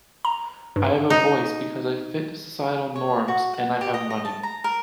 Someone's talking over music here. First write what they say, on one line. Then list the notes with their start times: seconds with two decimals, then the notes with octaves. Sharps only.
I have a voice because I fit societal norms and I have money.
0.25 A#5
0.76 G2
1.10 D#4
2.96 C#5
3.28 F#4
3.54 F#5
3.81 G4
3.94 D#5
4.10 D#5
4.25 A5
4.43 A#5
4.64 A#4